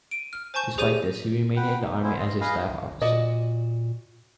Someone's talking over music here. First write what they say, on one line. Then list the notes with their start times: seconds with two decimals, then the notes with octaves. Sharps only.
Despite this, he remained in the army as a staff officer.
0.11 D7 D#7
0.33 F6
0.54 C5 G#5 A5 C#6 G6 E7
0.78 G4 G#4 C5 D5 G6 D#7
1.56 B4 F#5 G5
1.79 D#4
2.03 B3 C#4 E4 C5
2.20 D#5 C6
2.41 G#4 B4 D#5 F5
3.02 A#2 F#4 D5 D#5